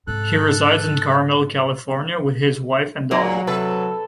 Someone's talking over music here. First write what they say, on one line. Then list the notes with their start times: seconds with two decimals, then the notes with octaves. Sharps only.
He resides in Carmel, California, with his wife and daughter.
0.07 G#2 C3 A4 F#6
3.11 A#2 F#3 A#3 D#4 G#4
3.47 C3 A4 B4